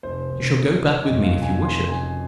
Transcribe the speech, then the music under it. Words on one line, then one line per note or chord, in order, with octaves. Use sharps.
"You shall go back with me if you wish it."
F1 C5
F1
F1
F1 C#5
D#5
F2
F5
F2
G#5
F1 C6
C#3 G#5